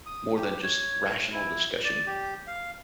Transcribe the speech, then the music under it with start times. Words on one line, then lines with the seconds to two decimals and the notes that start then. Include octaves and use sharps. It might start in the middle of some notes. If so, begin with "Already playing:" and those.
more than just rational discussion,
0.06 D#6
0.37 G4
0.62 C#5
1.32 E4
1.84 D5
2.06 G4
2.47 F5